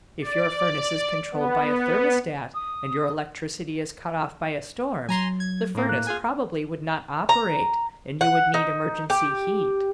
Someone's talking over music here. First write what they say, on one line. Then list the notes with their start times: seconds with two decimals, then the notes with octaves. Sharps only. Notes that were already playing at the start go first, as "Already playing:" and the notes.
If your furnace is controlled by a thermostat and your electricity is cut off by a storm, the furnace probably would not operate and you would need emergency heat.
0.21 D5
1.32 B3
2.54 D#6
5.09 F#3 G#5 A#5 C6
5.40 G#6
5.75 A2 A#3
5.89 F#6
6.07 F4 G#4 G#5
7.29 A#5
8.21 F#5
8.54 D#4
9.10 G4